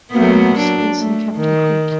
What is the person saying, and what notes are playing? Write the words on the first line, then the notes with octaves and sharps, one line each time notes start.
There are no schools in Captain Creek.
F#3 A#3 B3
D4
A3
D#3